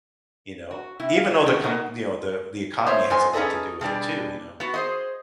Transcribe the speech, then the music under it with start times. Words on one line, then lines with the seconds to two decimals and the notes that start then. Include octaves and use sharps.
you know, even though the com you know, the the economy has a lot to do with it too, you know.
0.71 F#4
1.00 C3 E4
1.16 F5
1.31 F#3
1.46 B2 D#3 A3 C#4 G4 G#4
1.63 B2 B3 D#4 A#4 D#5 F#5
2.87 C5 C#5 E5
3.10 F#2 B3 C5 D#5 G#5
3.33 C#4 D#4 G#4 A4 B4 D#5
3.81 B2 G3 D4 G#4
4.60 B3 F#4
4.74 G#4 C5 D#5